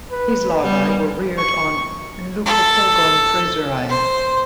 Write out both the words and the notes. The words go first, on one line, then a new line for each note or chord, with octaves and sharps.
These larvae were reared on "Leucopogon fraseri".
B4
G3 B3
C#6
A4
C5